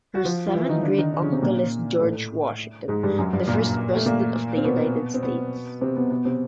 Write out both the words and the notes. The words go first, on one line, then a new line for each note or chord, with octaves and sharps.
Her seventh great-uncle is George Washington, the first president of the United States.
F#4
F3 F4
F4
E3 E4
D#3 D#4
D3 D4
D#3 D#4
D3 D4
C#3 C#4
C3 C4
A#2 A#3
A2 A3
G#2 G#3
G2 G3
F#2 F#3
G2 G3
A#2 A#3
A3
A#2 A#3
C4
B2 B3
C4
B2 B3
C3 C4
B2 B3
B2 B3
C3 C4